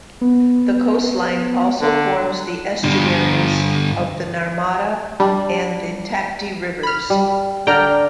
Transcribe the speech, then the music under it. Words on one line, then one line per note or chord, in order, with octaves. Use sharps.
The coastline also forms the estuaries of the Narmada and the Tapti Rivers.
B3
D3
G2 D3
G3 D4
B5 F6
G3
D3 A#4 D5 G5 A#5 F6